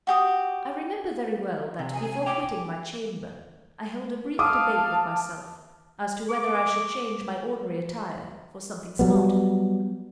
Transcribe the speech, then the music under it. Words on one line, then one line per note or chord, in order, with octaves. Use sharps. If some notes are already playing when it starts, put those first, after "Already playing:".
I remember very well that before quitting my chamber, I held a brief debate with myself as to whether I should change my ordinary attire for something smarter.
F#4 G4 D#6
C3
G#5
C#5 G5 D6
F5 A5 D6 D#6
D6
F#3 G3 B3